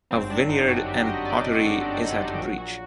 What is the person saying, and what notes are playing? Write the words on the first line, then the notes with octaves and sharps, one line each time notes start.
A vineyard and pottery is at Breach.
G1 F#2 F#3 C4
D4
D#4
F#4
G4
D#5
D5
A4
A4
G4
F#4
D4
D#4
A#1 A#2 F#3 F#4
F#4